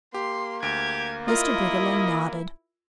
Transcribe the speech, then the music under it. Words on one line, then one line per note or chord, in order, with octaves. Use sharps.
Mr. Briggerland nodded.
A#3 G4 C6
D2 G4 G#6
E4 F4 A#4 D#5